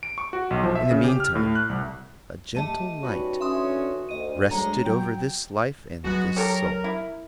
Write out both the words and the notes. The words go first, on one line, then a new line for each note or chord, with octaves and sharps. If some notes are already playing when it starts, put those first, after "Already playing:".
In the meantime a gentle light rested over this life and this soul.
D7
C#6
F#4
B1
F3
E5
C#3
G4
F6
A2
F#6
C2
A3 G4 D#5 A5 D#7
G3 C#4 D#4 F#4 B4
D3 C#4 E5 C6 D#6
D2 D#5 D#7
G#3 D4 C#5 A#5
F#3 C#4 G5
F#3 G#3 B3 F#4
G4 A4 A#4 C#5
E4